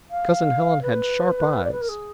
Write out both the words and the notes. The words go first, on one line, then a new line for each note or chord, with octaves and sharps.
Cousin Helen had sharp eyes.
F5
B4
D5
B4
A#4
G#4